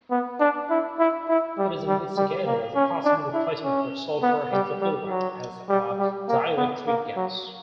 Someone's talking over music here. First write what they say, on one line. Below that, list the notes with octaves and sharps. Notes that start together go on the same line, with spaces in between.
It is investigated as a possible replacement for sulfur hexafluoride as a dielectric gas.
B3
D4
E4
E4
E4
G3
G3
G3
A#3
C#4
D4
E4
C#4
B3
G3
G3
F#3
G3
G3
A#3
B3
A#3
F#3